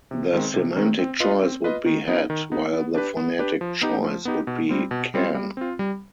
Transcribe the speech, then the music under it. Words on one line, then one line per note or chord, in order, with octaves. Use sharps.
The semantic choice would be "hat" while the phonetic choice would be "can".
C3
D#3 G#3 C4
C3
D#3 G#3 C4
C4
F4 B4 D#5
C4
F4 B4 D#5
D#3
B3 D#4
D#3
B3 D#4
B3
D4 G4 B4
B3
D4 G4 B4
F3
B3 D#4 G4
F3
B3 D#4 G4
B2
G3 C4 F4
B2
G3 C4 F4
G3
C4 F4
G3